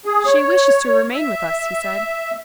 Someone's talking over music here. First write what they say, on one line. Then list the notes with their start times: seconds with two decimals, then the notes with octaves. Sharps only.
"She wishes to remain with us," he said.
0.05 G#4
0.26 C#5
1.14 E5